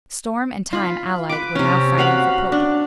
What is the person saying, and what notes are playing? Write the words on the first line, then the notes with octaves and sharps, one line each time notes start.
The storm and time allied were now fighting for Pope.
F4 B5
B4 D6
C3 C#4
F#4 F5 F#5 B5
D4